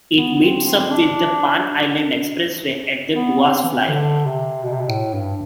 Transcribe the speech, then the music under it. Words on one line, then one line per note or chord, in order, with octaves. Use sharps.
It meets up with the Pan Island Expressway at the Tuas Flyover.
B3
B3
C4
C4
D4
B3
C4
E3
D3
C3
B2
C3
B2
A2
G2